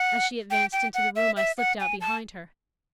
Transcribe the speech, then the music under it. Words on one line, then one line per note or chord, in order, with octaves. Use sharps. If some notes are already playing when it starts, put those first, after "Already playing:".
As she advanced into the room, I slipped out behind her.
Already playing: F#5
G5
G5
F#5
E5
E5
F#5
G#5
A5